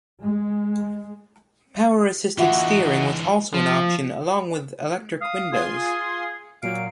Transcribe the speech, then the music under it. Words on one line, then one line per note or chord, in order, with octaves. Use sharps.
Power assisted steering was also an option along with electric windows.
G#3
D3 E3 D#4 F4 F#4 E5 F#5
F3
F5 D#6
F4 G#4 G#5 C6
D#6
A#2 F#3 F5 D7